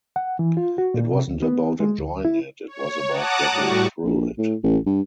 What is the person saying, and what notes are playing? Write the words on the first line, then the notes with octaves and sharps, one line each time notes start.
It wasn't about enjoying it, it was about getting through it.
F#5
E3
F4
F#4
A#2
C3
D2
B3
G#3
D2
E4
C#5
F#5 A5 A#5 D6 D#6 F#6
A2 G3 F#4 C#6
A#1
A2
A1
G2